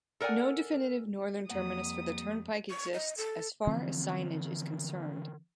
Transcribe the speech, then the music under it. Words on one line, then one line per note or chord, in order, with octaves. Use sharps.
No definitive northern terminus for the turnpike exists as far as signage is concerned.
A4 A#4 D5 F#5 G#5
F2 G3 A#3 F#5 D#6
C#6
D#5
A4
D3 E3 F3 C4